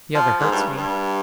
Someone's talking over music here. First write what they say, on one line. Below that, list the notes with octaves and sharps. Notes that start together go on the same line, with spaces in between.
"The other hurts me."
F3
G#2
G2
G2